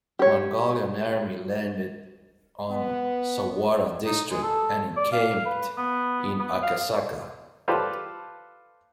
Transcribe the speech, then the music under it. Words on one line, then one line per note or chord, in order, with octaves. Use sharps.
Mongolian Army landed on Sawara District and encamped in Akasaka.
G4 C#5
B3
D#4
G#3
A4
D5
F5
B4
B3
B3
F5
F4 G4 A4 B4 C5 D5